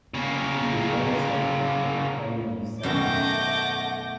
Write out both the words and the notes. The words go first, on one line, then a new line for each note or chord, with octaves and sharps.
He is also of Italian descent.
C#3 A#3
F#2 B2 D#3 A3 F#5 D6 G6 A#6